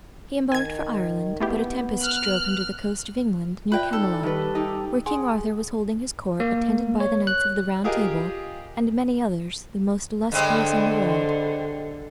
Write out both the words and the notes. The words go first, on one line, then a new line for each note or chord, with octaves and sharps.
He embarked for Ireland; but a tempest drove him to the coast of England, near Camelot, where King Arthur was holding his court, attended by the knights of the Round Table, and many others, the most illustrious in the world.
D#3 G#5 G#6
A3 B3 E4 G4
F6 F#6
F4 B4 D5 E5 G5
D#4 A4
D#3 G3 B4
D#4 G4
G#4 F#5 G#5 C6
A#3
C#5
F#6
F4 G4 G#4 A#4 D#5
G2 D3 G#3 C4